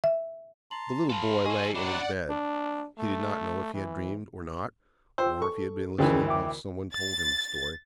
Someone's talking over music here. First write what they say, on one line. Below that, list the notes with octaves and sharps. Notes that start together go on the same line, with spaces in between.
The little boy lay in his bed; he did not know if he had dreamed or not, or if he had been listening while someone told him the story.
E5
A5 A#5 C6 F#7
A4 B4 F5 G#5 A5 C6
G#4 A4 D#5 G#5 C#6
F#3 D4 E4 G4 D5 F#5
D4
A3
E3
F4 C5 G5 E6
A4 C#6
D2 D#3 E3 C#4 G#4 G5
E5 G5 D6
A6